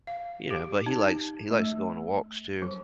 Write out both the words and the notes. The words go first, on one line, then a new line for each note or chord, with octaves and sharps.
you know, but he likes he likes to go on walks too.
F5
G4
D#4
A3
F#3